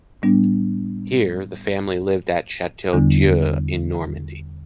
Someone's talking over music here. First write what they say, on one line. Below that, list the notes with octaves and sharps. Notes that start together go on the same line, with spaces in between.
Here, the family lived at Château d’Eu in Normandy.
A2 G3 B3 D4
E2 D3 G3 B3 D4